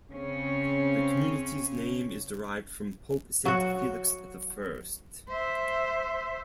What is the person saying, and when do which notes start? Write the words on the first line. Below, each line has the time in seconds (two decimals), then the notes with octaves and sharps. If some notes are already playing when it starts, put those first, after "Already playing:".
The community's name is derived from Pope Saint Felix the First.
0.11 C#3 C4 C#4
3.45 F#3 F#4
5.29 C5 E5